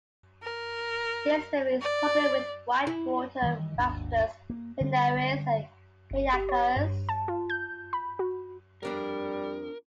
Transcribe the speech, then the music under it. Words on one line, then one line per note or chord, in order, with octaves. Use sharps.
This river is popular with whitewater rafters, canoeists, and kayakers.
A#4
D5
E4
D#3 E3 G3
G#1 D#2 D4
A#3
D3 G3
G1
G4
C#5
G2
A5
F4
G6
B5
F#4
F2 G3 D4 A#4 D5